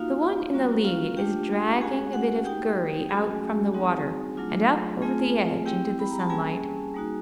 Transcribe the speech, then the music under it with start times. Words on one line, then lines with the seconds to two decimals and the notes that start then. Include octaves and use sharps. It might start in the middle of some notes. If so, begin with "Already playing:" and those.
The one in the lead is dragging a bit of gurry out from the water and up over the edge into the sunlight.
Already playing: A#3 D#4 F4 F#4 F5
0.53 G3 A#3 C#4 F#4
0.85 F4 F5
1.17 A3 D4 F4 G4 G5
1.81 G#3 C#4 F#4 G#4 G#5
2.13 F#4 F#5
2.45 A#3 D#4 F#4 G4 G5
3.09 F#3 A3 C#4 F#4 G#4 G#5
3.74 G3 C4 D#4 F#4
4.37 F#3 A3 D4 F4
5.02 A3 C4 F4 G#4 G#5
5.66 G3 C4 E4 G4 G5
6.00 B5
6.10 A#5
6.20 A5
6.30 G3 A#3 C#4 G#4 G#5
6.94 G3 A#3 D#4 F#4